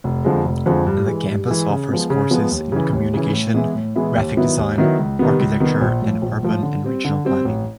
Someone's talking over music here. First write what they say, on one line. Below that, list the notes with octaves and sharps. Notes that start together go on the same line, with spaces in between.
The campus offers courses in communication, graphic design, architecture, and urban and regional planning.
F1
F2 D3 F3 G#3
F1
F2 D3 F3 G#3
G2
E3 G#3
G2
E3 G#3
C#3
F3 G#3 B3
C#3
F3 G#3 B3
D#2
C#3 E3
D#2
C#3 E3
A2
E3 G#3 B3 E4
A2
E3 G#3 B3 E4
D#2
D#3 F#3 B3 E4
D#2
D#3 F#3 B3 E4
C#2
C3 D#3 G3 B3
C#2
C3 D#3 G3 B3
A#1
A2 F3
A#1
A2 F3
D3
G3 C4
D3
G3 C4
A1